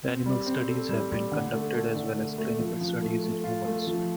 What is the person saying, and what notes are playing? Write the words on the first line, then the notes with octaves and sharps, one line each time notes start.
Animal studies have been conducted as well as clinical studies in humans.
C4
G3
C4
A4
G3
G3
D3
A3
A3
D3
A3
A3
F3
F3
A3
A3
F4
A3
F3